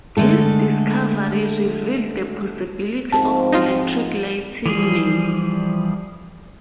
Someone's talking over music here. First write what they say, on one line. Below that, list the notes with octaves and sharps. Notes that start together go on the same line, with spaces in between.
This discovery revealed the possibility of electric lighting.
D3 G#3 A3 A4
G#2 F3 C4 A5
D#4 F4
E3 F3 G3 G#4